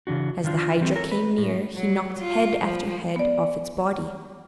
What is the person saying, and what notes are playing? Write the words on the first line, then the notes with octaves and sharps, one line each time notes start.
As the Hydra came near he knocked head after head off its body.
C#3 E3 D4 F#4
D#3 F3 D4 F4
E3 F#3 G3 C4 A4
A4 A#4 C#5
B4
A2
F#3
F4
F3
B3 D5